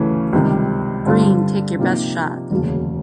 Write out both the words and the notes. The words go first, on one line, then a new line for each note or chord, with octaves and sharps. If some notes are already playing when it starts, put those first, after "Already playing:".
Green, take your best shot.
Already playing: D2 C#3 E3 A3 C#4
C#2 C3 D#3 G3
G2 D3 G3 C4 F4
C3 F3 A#3 D#4 G4
E1 D2 C#3 F#3 A#3